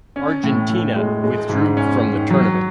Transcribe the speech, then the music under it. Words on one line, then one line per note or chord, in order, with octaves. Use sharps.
Argentina withdrew from the tournament.
C#4
A2
A2
G#3
G#3
G#2
C#4
D#3
F#3